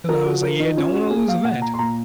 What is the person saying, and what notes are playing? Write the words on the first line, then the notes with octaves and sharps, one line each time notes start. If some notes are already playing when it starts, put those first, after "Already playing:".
And I was, like, "Yeah, don't wanna lose that."
F3 A#4
F#4
F3 A#4
D#4
C#4 F4
F#4
A#3 G#4
F5
A#2 F#5
A#5
C6
A#2 A#5